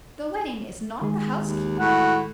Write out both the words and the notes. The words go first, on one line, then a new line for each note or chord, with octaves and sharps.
The wedding is not the housekeeping.
D#3 G#3 G#4
D#2
A2 F#4 F#5